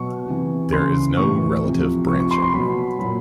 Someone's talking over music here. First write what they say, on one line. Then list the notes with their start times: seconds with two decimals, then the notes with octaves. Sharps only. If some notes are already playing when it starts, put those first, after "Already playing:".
There is no relative branching.
Already playing: B2 F#3 C#6
0.26 C3 E3
0.72 C#3 E3 C6
1.17 A2 E3 C#6
1.63 C3 F3
2.08 C3 F3 C#6
2.20 C#6
2.31 C6
2.42 C6
2.53 B2 F#3 B5
2.99 A#2 F#3 B5